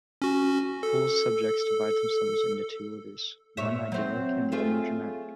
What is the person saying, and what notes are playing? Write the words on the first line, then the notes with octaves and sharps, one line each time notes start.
Poole's subjects divide themselves into two orders, one idyllic, the other dramatic.
C#4 F#4
A4
A#2 C#5 E5
F#3 C4
A3 F4 G#4